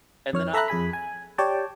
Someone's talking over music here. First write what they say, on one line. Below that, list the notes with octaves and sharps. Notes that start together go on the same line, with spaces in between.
and then, uh
F2 C#5 F6
A4 E5 A#5 B5 F#6
F2 G#4 G#5 B5
G#5
G4 C#5 D5 G5 A5